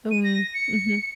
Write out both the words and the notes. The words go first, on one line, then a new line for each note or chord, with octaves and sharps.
Mm, mhm.
D#7
A#6
C#7